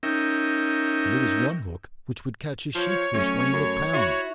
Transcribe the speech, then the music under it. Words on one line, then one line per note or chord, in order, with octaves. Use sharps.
And there was one hook which would catch a sheat-fish weighing a pound.
C#4 D#4 A#4 E5 G5
F3 C#5
F#3 A3 C#4
F#2
E4 F#4 E5